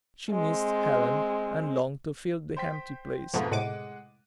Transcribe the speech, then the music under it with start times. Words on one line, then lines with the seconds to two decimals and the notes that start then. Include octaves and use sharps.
She missed Helen, and longed to fill the empty place.
0.31 G#3 C4
2.57 C5 G5 B6
3.34 F2 G#2 B2 F3 A3 B3
3.51 A2 C3 G#3 F#5 D6 D#7